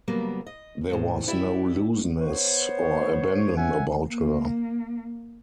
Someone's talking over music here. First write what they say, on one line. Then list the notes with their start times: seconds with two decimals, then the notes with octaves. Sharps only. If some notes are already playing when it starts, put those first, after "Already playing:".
There was no looseness or abandon about her.
0.08 C#3 F#3 G3 A#3 B3
0.47 D#5
0.90 A2 C3 F#3
1.28 E4 F#4 G4 D5 E5
2.20 B3 C5 C#5
3.57 C#4 E5 F#5 G#5
4.08 A#3